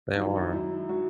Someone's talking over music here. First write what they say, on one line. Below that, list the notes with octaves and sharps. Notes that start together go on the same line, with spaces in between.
They are.
F#2 D#3 F#3 D#4
E4
D#4
F#2 D#3 F#3 E4
D#3 F#3 F#4